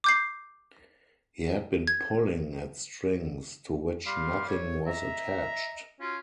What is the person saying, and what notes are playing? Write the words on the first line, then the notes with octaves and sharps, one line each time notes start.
He had been pulling at strings to which nothing was attached.
D6 G6 C7
G#6
G3 F5 C6
A4 C#5
D#5 E5 A#5
C#4 F4 F#4